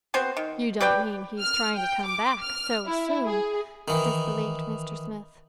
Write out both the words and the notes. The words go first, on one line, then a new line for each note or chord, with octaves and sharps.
"You don't mean he is trying to come back--so soon!" disbelieved Mr. Smith.
B3 C4 F#4 C5
D#3
G4 B4 D5 G5
F6
G5
D6
F6
E4
G#4
D#3 E3